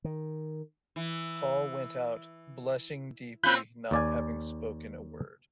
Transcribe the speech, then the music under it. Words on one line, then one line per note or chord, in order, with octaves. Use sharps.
Paul went out, blushing deeply, not having spoken a word.
D#3
E3
C4 C#4 F4 B5 F#6 G6
D#2 D5 G#5